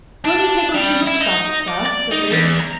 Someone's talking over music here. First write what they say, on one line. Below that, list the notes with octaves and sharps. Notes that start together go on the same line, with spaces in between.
"Don't you take on too much bout it, sir," said Luke.
D4
G3
E4
D#4
D5
D5
D#4
E2
A#5